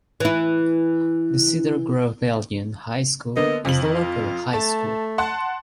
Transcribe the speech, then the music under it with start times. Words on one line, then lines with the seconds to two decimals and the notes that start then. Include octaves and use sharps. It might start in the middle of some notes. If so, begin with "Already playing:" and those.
The Cedar Grove-Belgium High School is the local high school.
0.20 E3 E4
3.37 D3 A#3 B3 D#5
3.65 F2 F3 F#7
3.83 D#3
3.94 F4
4.53 A3 A5
5.18 F#5 A5 C6